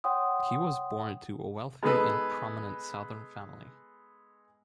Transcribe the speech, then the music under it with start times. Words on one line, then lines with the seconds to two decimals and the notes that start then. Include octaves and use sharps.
He was born to a wealthy and prominent Southern family.
0.04 C#5 F#5 G5 C6 D#6
1.83 G#3 B3 D#4 G#4 A4 B4